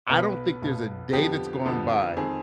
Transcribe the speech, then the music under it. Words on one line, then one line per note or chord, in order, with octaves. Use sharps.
I don't think there's a day that's gone by
B1 B2 B3 B4
B1 B2 B3
F2 D3 F3 B3 G4
F2 D3 F3 B3
F2 D#3 G#3 C4 G#4